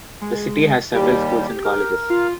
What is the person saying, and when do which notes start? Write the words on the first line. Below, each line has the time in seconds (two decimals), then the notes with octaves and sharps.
The city has several schools and colleges.
0.21 G#3
0.94 D#2 G3 G4
1.64 A#4
2.10 F4